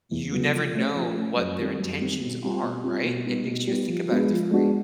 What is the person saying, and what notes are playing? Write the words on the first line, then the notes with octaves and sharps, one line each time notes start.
you never know what their intentions are, right? It makes you think about it differently.
E2
C#3 F#3 B3
F3
A3 C#4
F3
A3 C#4
F#2
D#3 G3 C4
F#2
D#3 G3 C4
B2
G3 C4 F4
B2
G3 C4 F4
B2
G3 B3 D#4
B2
G3 B3 D#4
F3
G#3 B3 D4 F#4
F3
G#3 B3 D4 F#4